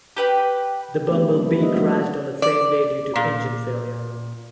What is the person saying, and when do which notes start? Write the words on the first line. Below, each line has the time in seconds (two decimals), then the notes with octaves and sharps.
The Bumble Bee crashed on the same day due to engine failure.
0.17 G4 B4 G5
1.09 A3 B3 C4 D4 E4 G4
1.30 F3 G3 A#3 C#4 E4
1.42 C4 D#4 B4
1.61 F3 G#3 A#3 D4 D#5 E5
1.74 G3 A3 C4 D4 F#4 C5
1.87 G3
2.42 D5
3.16 A#2